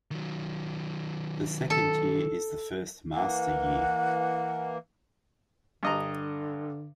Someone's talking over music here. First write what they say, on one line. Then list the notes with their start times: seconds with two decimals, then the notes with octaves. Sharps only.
The second year is the first master year.
0.11 D#3 F#3
1.70 A4
3.14 E3 A#3 F#5
5.83 G2 D3 D#5 A#5